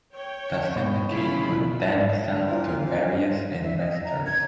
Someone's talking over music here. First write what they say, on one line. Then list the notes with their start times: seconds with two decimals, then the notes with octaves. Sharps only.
The syndicate would then sell to various investors.
0.13 C#5 G5
0.76 B2
1.09 C#3 F#3 E4 F4 B5
2.46 A#2 E4 F4 C5
3.63 E5
3.79 D#5
4.04 A#5
4.26 G#6